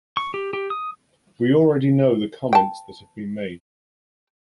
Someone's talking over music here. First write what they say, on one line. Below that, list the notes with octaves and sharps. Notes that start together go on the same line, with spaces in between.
We already know the comments that have been made.
C#6
G4
G4
D#6
G5 A5